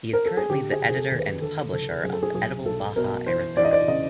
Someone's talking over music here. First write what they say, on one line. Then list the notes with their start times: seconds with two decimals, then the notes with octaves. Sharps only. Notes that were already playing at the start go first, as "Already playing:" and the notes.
He is currently the editor and publisher of "Edible Baja Arizona".
0.13 A#4
0.25 A4
0.37 G#4
0.50 D3 G4
0.72 G#4
0.81 F1
0.90 G#4
0.96 A4
1.11 D#2
1.19 B4
1.42 D3 A4
1.73 F#1 A4
2.04 F#2 G#4
2.13 A4
2.23 G#4
2.34 B1 G#4
2.65 B1 A4
2.96 B2 A#4
3.26 E3 C5
3.57 E2 D5
3.65 D#5
3.73 D5
3.88 C#3 D#5